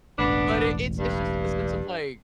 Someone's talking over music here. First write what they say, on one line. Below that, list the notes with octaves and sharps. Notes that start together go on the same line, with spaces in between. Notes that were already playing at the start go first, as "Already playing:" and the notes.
But it it's it's just in the sense of, like,
E1 A1 B3 D4
G2